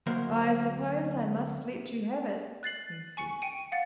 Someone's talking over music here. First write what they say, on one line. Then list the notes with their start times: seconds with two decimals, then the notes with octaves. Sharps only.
"I suppose I must let you have it," he said.
0.06 D2 F#3 A#3 A#4 C5 A#5
2.63 F#6 A6 C7 F#7
3.17 G#5 C#6 C#7
3.42 G5 C#7 D#7
3.72 F5 F#5 A6